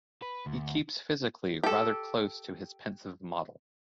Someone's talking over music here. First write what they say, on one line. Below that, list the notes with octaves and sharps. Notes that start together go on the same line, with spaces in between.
He keeps physically rather close to his pensive model.
B4
D2
G4 A4